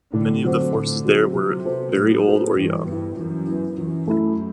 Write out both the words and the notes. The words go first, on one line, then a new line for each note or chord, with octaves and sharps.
Many of the forces there were very old or young.
A2 D3
D3 F#3 C4 F#4
A2
F#3 C4 F#4
C3 F#3
B3 F#4 A4 C5
A2 F#3
B3 F#4 A4 C5
G2 E3
G2 B3
E4
F#2 E3
B3 E4
F#2 E3
A3 E4